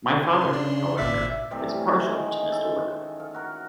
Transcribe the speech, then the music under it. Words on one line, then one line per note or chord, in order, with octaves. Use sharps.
My father, however, is partial to Mr. Wickham.
C#3 C6
D4
G#1 A#2 D5 E5
C3 E3 G3 A3
C#4
D#3 G#3
A4
A4 F5
F#4 A#4